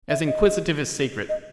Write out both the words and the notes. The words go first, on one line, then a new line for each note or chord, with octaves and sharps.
As inquisitive as secret.'
E5
D#5
D#5